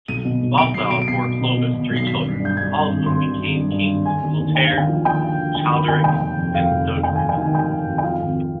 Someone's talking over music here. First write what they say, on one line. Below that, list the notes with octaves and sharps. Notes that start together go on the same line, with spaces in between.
Balthild bore Clovis three children, all of whom became kings: Clotaire, Childeric and Theuderic.
B1 D#7
B2
B1
B2 D7
B1 C7
B1 D7
D7
B2 C7
B1
B2
B2
B2
B1
C7
G#1 B6
G2
G2 G6
G2 G#6
G2
G#1
G#1 C6
G#1
G#1
G2
G2
G#1
D3 G#5
D#2
D#2
D3 G5
F5
D#2
G5
F3
D#2 G5
D3
D3
D#2 G5
D#2 B5
D#2 G5
F1 G5
F1
F2
F2 F5
F1
F1
D#3 G5
F2 G#5
G5
D#3
G#5
F1 G5
F1
F2
G5
F3 F5
G#1